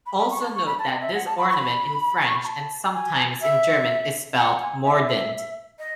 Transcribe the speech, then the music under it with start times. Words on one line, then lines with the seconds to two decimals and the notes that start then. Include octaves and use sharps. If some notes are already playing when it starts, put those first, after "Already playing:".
Also note that this ornament in French, and sometimes in German, is spelled "mordant".
0.06 B5
0.18 B5
0.31 C#6
0.42 A5
0.54 C#6
0.66 B5
0.79 A5
0.90 D#5
1.02 E5
1.14 F#5
1.26 A5
1.38 B5
1.50 C#6
1.54 B5
2.25 C#6
2.35 B5
2.45 A5
2.94 G#5
3.41 E5
4.37 F#5
4.61 G#5
4.84 E5
5.79 D#5